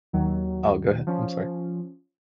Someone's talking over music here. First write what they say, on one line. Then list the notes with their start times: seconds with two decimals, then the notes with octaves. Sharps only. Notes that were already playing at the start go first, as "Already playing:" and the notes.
Oh, go ahead, I'm sorry.
0.13 D#2 D#3 F#3
1.07 F3 C#4